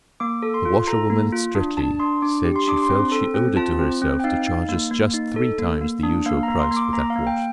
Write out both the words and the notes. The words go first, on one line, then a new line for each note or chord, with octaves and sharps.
The washerwoman at Streatley said she felt she owed it to herself to charge us just three times the usual prices for that wash.
A#3 D6
A4
C6
F4
A4 A#5
A#3
F4
D4
D4 A5
D4 C6
D4 D6
G4
C6
D4 D6
C6
C4
A4
C4
F4 A5
C4
C4
G5
D#4 F5
D#4
A#3
A#3
D#4
A4
A#3
A#3
D4
A#3 F5
A#5
A#3
C6
A#3
D6
A#3 A#5
F5
A#3
G5